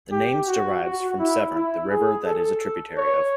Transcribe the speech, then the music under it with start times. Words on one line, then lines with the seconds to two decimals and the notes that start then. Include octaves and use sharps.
The names derives from Severn, the river that it is a tributary of.
0.12 G4
0.47 F#4
0.83 F#4
1.19 E4
1.54 E4
1.90 G#4
2.26 A4
2.97 C#5